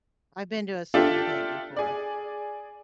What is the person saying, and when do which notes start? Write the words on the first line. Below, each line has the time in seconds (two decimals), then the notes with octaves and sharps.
I've been to a sip and paint before.
0.94 D4 F4 G4 A4 E5
1.76 G#4 D5